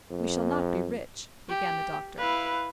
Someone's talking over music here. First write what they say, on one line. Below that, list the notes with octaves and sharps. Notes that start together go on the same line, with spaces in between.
"We shall not be rich--" began the doctor.
F2
G4
E4 B4 F5